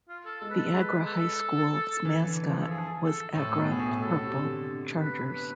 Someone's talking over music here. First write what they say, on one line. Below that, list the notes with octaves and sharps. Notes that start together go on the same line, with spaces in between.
The Agra High School mascot was Agra Purple Chargers.
F4
A4
G#3 A4
B4
A4
G#3 B4
A4
E3
D3
F3
A4
G#4
A4
A2 A4
B2
G#4
A2
B2 A4
C3
D3
B4
B4